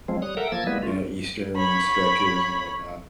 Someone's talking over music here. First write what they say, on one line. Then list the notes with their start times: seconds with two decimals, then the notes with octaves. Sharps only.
you know, eastern stretches, and whatnot.
0.08 F3 G#3 C4
0.22 G3 C#5 D#6 F#6
0.37 A4 A#4 E5 F#5 G5 A#5
0.52 F3 A#3 E6 G#6 A6
0.67 G3 G#3 A#3 B3 E4 B4
0.83 A3 F4
1.56 C#5 B5